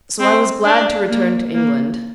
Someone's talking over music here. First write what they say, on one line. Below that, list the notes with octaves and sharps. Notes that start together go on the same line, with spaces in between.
So I was glad to return to England.
C4
D4
A#3
A#3